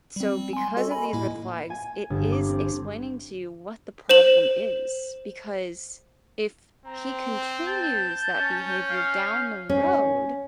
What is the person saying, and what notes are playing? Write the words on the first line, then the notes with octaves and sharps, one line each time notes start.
so, because of these red flags, it is explaining to you what the problem is. Because if he continues that behavior down the road
G3 C4
G#5 C6
F#4 A4 D#5
D#5 G#5 B5
A2 A#3 E4
G#5
G1
D6
C4
C5 E7 F#7
C4 A#5
A5 G6
C#4
F5
C#4